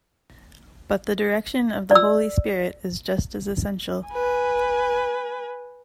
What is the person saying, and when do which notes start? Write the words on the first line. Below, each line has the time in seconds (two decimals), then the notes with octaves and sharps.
But the direction of the Holy Spirit is just as essential...
1.91 D5 E6
4.08 B4 G#5